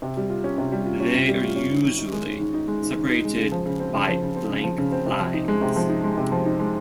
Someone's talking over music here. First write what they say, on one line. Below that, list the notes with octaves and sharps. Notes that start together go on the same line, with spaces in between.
They are usually separated by blank lines.
C3
G3
F4
C#4
C3
G3
F4
C#4
C3
G3
F4
C#4
G#2
D#3
D#4
G#3
G#2
D#3
D#4
G#3
G#2
D#3
D#4
G#3
C#3
F3
C#3
C4
C#3
F3
C#3
C4
C#3
F3
C#3
C4
C3
F3
D#4
G#3
C3
F3
D#4
G#3
C3
F3
D#4
G#3